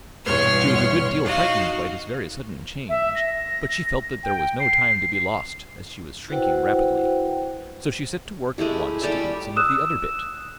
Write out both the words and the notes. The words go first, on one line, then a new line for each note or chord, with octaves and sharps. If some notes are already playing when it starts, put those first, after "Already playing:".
She was a good deal frightened by this very sudden change, but she felt that there was no time to be lost, as she was shrinking rapidly; so she set to work at once to eat some of the other bit.
E2 G2 B2 C#5 C6 F6
D#4 F#4 D#5 F5
E5
A#6
G5
C7
E4 F#4 B4 C5 F#5 G5
G#3 A3 E4 G4
G3 G4 A4 E5
D#6 E6 F#6 E7